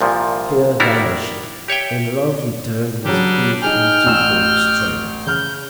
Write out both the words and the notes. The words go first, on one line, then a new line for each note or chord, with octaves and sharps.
Fear vanished, and love returned with grief in twofold strength.
C2 G2 A#2 F3
D#3 G3 D4 E4 F#4 A#4
G4 C#5 E5 G5
C#3 F#3 G3 D4 G4
D#4 G#4 G5 G#5 F6
A1 E6 E7
C#3 F6 G6